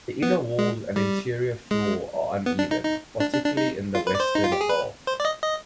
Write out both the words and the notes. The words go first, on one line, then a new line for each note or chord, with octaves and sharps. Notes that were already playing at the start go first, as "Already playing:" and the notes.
The inner walls and interior floor are uneven, particularly in the western half.
B3
G#3
G3
G#3
B3
D4
D#4
D#4
D4
D4
D4
D#4
F4
B4
D5
C5
D#4
F4
G4
G#4
B4
C5
D5
D#5
D#5